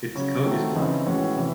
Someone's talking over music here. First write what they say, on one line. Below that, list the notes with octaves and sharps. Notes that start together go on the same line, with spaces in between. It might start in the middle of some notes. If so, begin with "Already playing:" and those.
Its coat is black.
C#3 F#3 C#4 F#4
D#3 A3 C4 F#4
C#3 E3 C4 D#4
A2 E3 G#3 C#4 F#4
C3 E3